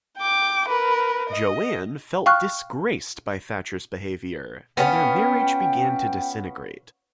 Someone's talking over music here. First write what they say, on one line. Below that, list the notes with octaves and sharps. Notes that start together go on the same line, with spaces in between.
JoAnn felt disgraced by Thatcher's behaviour, and their marriage began to disintegrate.
G5 D6
A#4 B4
D#5
F5 G5 C#6 F6 F#6
B3 C#4 F4 G5